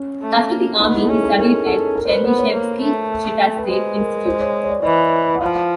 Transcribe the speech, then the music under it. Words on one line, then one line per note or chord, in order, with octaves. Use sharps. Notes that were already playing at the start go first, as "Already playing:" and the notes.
After the army he studied at Chernyshevsky Chita State Institute.
Already playing: C#4
A3
A#3
B3 D#4
E4
A4
C#4 G#4
A4
C#4 A#4
A4
A#4
C5
B4
B3 C5
C#5
A#3
A3
B4
G#3 C5
A#4
C5
C#5
C#5
D5
E3 D#5
F#5
F3 F5
F5